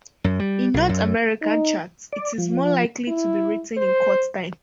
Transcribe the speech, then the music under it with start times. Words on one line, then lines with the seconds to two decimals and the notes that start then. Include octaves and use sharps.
In North American charts it is more likely to be written in cut-time.
0.24 F#2
0.39 G3
0.74 B1
0.89 F#2
1.42 D#4
2.13 D5
2.38 F3
3.08 E4
3.77 C5